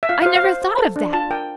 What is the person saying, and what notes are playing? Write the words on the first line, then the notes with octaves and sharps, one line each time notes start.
I never thought of that!
E5
F4 F5
F5
C5
F5
C5
C5
A4
D4
F4 A5
A#4 G5